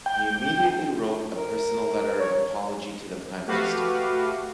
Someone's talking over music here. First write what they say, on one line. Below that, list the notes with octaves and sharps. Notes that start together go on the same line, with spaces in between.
He immediately wrote a personal letter of apology to the Prime Minister.
G5
A#4
C#5
A3 F#4 G4 B4 F5